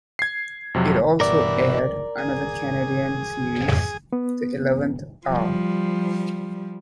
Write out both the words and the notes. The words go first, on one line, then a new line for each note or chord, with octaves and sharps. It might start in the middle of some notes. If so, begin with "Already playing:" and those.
It also aired another Canadian series, "The Eleventh Hour".
G#6 C7
F2 C3 F#3
G2 B2 E3 A#4 D5
G#4
B3
F3 G3